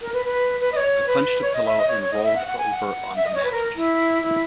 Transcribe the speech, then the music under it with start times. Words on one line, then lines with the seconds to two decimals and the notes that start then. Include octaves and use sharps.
I punched a pillow and rolled over on the mattress.
0.02 A#4
0.13 B4
0.25 B4
0.60 B4
0.72 D#5
0.77 C#5
1.07 B4
1.42 C#5
1.53 D#5
1.65 E5
1.77 D#5
1.88 C#5
2.00 C#5
2.11 D#5
2.24 E5
2.35 F#5
2.47 F#5
2.58 G#5
2.71 F#5
3.16 E5
3.25 D#5
3.35 C#5
3.44 B4
3.52 A#4
3.76 E4
4.22 E4